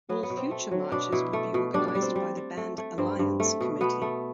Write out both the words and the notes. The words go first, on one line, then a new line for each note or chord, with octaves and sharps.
All future marches would be organised by the Band Alliance committee.
F#3 B3
B3
B2
C4
A3
F#3
B2 D4
B2 E4
A3
B2
G3 D4
D4
G3
C4
G3
G3
A3
A3
G2 C4
G2
A3
B2
B2 B3
A3